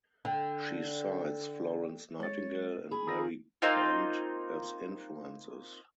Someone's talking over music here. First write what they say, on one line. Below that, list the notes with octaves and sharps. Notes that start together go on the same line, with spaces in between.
She cites Florence Nightingale and Mary Quant as influences.
D3 G5
G#3 C#5 A6
G#4 B5
D#3 F4 A#5 D#6 E6 A#6
A#3 C4 D#4 F4